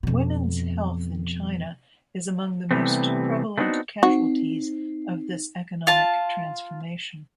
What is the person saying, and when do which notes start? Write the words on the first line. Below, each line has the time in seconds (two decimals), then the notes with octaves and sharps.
Women's health in China is among the most prevalent casualties of this economic transformation.
0.03 F2 B2
2.71 C3 E3 G3 A3 B3 C4
3.58 A3 B3 C4 D4 D#4 F#4
4.03 C4 D#4 F#4
5.87 F4 A5